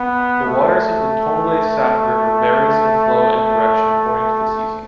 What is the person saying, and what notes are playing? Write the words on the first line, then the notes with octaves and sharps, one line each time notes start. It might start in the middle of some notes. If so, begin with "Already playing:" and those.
The water of the Tonlé Sap river varies in flow and direction according to the season.
Already playing: B3
A3
A3